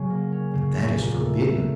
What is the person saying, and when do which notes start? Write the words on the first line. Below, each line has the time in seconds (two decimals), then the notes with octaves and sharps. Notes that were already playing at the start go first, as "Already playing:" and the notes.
But that is forbidden!
Already playing: C#3 F#3 C#4
0.10 A#3
0.32 C#4
0.54 C#3
0.76 C#3
0.98 A#2
1.20 A3
1.41 A3